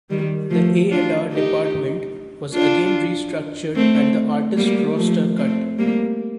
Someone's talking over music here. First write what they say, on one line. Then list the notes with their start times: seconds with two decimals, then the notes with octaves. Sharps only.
The A and R department was again restructured and the artist roster cut.
0.10 D#3 G3
0.50 F3 A3
0.91 D4 F4
1.32 D#4 G4
2.54 D4 F4
3.75 A3 C4
4.57 G3 A#3
4.97 F3 A3
5.37 A3 C4
5.78 G3 A#3